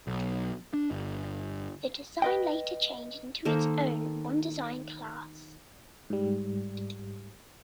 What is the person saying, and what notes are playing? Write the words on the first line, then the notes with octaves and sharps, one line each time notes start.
The design later changed into its own one-design class.
B1
D4
G1
B4 D#5 G5
D#3 A#3 A4 C5
G#2 G3